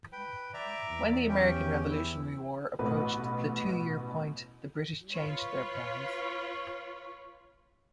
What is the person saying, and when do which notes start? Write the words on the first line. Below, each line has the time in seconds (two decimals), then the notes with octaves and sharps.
When the American Revolutionary War approached the two-year point, the British changed their plans.
0.12 B4 G5
0.54 D5 E5 A#5
0.89 E2
1.29 C#4 G4
1.89 E4
2.79 A1 B2 B4
5.10 F4 B4 C#5